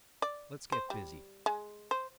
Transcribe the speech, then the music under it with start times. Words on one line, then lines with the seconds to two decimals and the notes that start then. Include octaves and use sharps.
Let's get busy.
0.22 D5
0.72 C5
0.90 G3
1.46 G#3
1.91 C5